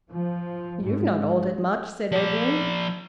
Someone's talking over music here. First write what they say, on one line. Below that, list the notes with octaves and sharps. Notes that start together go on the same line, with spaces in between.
"You've not altered much," said Edwin.
F3
G#2
F3 D5